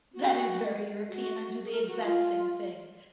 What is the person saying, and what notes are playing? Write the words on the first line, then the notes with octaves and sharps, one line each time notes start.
That is very European, I do the exact same thing.
F#4
F#4
G#4
A#4
F#4
F4